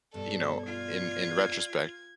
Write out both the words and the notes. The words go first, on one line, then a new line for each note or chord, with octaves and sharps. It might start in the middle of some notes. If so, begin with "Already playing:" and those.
you know, in in retrospect,
G2 B2 A3 A4 D5
F4 D5 G#6